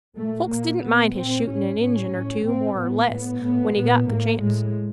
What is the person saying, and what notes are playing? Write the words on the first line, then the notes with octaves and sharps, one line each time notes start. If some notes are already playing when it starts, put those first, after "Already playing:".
Folks didn't mind his shootin' an' Injun or two, more or less, when he got the chancet.
A#2 A3
A#2 A#3
A#2 B3
A#2 C4
A2 C#4
A2 C#4
A2
A2 C4
A2 B3
A2 B3
A2 B3
A#2 B3
A2 A#3
A2 G#3